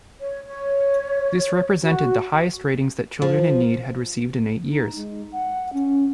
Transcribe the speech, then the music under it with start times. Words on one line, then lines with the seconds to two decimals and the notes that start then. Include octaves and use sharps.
This represented the highest ratings that Children in Need had received in eight years.
0.21 C#5
0.47 C#5
1.83 F#4
3.22 F3
4.68 D#4
4.95 G#3
5.32 F#5
5.73 C#4